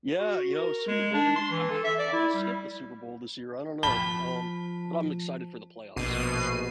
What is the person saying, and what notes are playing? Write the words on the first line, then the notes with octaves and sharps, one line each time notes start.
Yeah. You know, Super Bowl, I might act I might skip the Super Bowl this year. I don't know. Um, but I'm excited for the playoffs for sure.
F#4
A#4
G#3
D4
C6
E3
A4
E5
D5
E4
G3
F3 A5 B5 G7
A#1 B2 C7 D#7